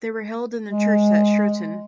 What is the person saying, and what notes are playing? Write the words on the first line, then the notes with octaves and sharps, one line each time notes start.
They were held in the church at Shroton.
G#3